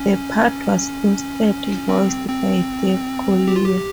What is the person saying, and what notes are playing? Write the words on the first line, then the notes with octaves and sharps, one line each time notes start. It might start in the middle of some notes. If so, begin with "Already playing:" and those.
The part was instead voiced by Dave Coulier.
Already playing: C#4
C4
C4
G4
F4
G4